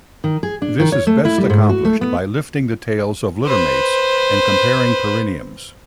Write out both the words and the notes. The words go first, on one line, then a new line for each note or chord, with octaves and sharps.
This is best accomplished by lifting the tails of littermates and comparing perineums.
D#3
G#4
D4
D#3
C#5
A3
E4
G3
G#2
F#4
A3
B3
B4 C5